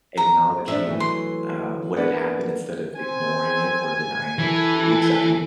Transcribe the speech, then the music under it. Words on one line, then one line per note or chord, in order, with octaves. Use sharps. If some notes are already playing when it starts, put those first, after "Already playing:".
acknowledging, uh, what had happened instead of ignoring it or denying it, completely accepting it.
A#5
F3 C4 D4 E5
E3 F#3 A3
C6
A#3 B3 D4
C4 G#5
E3 A4